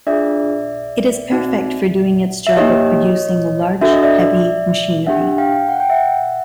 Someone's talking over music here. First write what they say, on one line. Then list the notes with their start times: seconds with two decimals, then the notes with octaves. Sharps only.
It is perfect for doing its job of producing large, heavy machinery.
0.07 D4 F4 G#4 D5 E5
1.32 C4 D#4 F#4
2.47 E5
2.56 A#3 D#4 G4 C#5 D#5
3.81 D4 F#4 A4 E5
3.93 D#5
4.03 D5 E5
5.07 D4 G4 E5 F#5
5.38 F5 G5
5.69 F#5
5.80 G5
5.90 E5 F#5